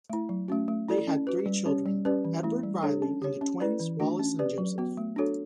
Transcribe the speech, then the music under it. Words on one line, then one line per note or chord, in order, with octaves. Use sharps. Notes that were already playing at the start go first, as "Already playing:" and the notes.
They had three children: Edward Reilly and twins Wallace and Joseph.
A3 E4
F#3
A3 C#4 F#4
A3
E4 A4 D5
C#4
F#4 B4
G3
C#4 G4 C#5
G3
C#4 G4 B4 D5
E3
A3 E4
G3
D4 A4 C#5
C#4
G4 C#5
C#4
E4 B4 D5
E3
A3 D4 F#4
C#4
G4 B4 D5
F#3
B3 F#4
A3
D4 F#4 A4 C#5